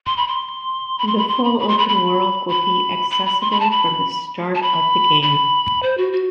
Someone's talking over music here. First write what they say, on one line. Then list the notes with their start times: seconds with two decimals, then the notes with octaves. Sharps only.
The full open world will be accessible from the start of the game.
0.06 C6
0.17 B5
0.28 C6
0.98 B5
1.07 C6
1.17 B5
1.28 C6
1.44 B5
1.59 B5
1.68 C6
1.78 B5
1.89 B5
2.49 B5
3.11 B5
3.26 B5
3.41 C6
3.51 B5
3.60 A5
3.71 B5
4.55 A5
4.62 B5
5.22 B5
5.83 C5
5.98 F#4
6.13 F#4